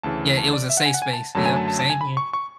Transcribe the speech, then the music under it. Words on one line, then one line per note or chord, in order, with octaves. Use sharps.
Yeah, it was a safe space yep, same here.
D2 C#3 E3 A5
A5
D5
E5
F#5
G#5
F#5
G#5
A5
F#2 D3 F#3 A3 A5
G#5
A5
A5
A5
G#5
B5
C#6
C#6